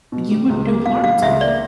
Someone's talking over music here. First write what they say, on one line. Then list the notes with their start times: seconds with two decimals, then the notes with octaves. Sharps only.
you would do harm to me
0.12 B2
0.31 G3
0.49 C#2
0.67 A#3
0.86 B2 F5
1.03 G3 F5
1.22 C#2 E5
1.41 A#3 D5